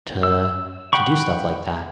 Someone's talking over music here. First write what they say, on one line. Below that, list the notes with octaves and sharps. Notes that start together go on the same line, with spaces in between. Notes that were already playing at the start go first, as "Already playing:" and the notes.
to to do stuff like that.
E6
F#5 G5 B5 C#6